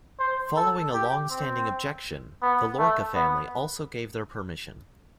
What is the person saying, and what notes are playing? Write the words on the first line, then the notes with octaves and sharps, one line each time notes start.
Following a long-standing objection, the Lorca family also gave their permission.
C5
A4
G4
C4
B3
A3
B3